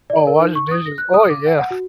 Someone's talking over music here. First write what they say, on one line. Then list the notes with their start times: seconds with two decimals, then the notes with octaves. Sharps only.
Oh, washing dishes. Oh, yeah.
0.10 D5
0.27 A#4
0.39 D#4
0.55 C#6
0.71 D#6
0.86 A#6
0.98 F#6
1.14 D#6
1.30 D6
1.47 F#5
1.58 F#5
1.71 F#4